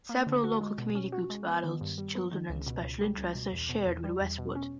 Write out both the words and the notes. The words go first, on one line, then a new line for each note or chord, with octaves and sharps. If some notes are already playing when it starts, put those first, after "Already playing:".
Several local community groups for adults, children and special interests are shared with Westwood.
A#3
D3
F#4
G#3
B2
C#4
F#4
G#3
B3
D#3
G2
G3
B3
D#3
C#2
B2
C#2
G3
C#2
B2
E2
B2
E2
G3
E2
B2
C#4